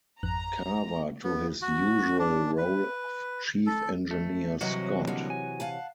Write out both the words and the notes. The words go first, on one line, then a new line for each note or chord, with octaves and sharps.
Carver to his usual role of Chief Engineer Scott.
G#1 F2 A#5 F#6
B3
F#4
D4
B4
A4
A3
D2 C3 E3 F#3 F#4 D#5 F#5
D3 G3 A#3 F#4 D#5
G#5
F5 F#5 A5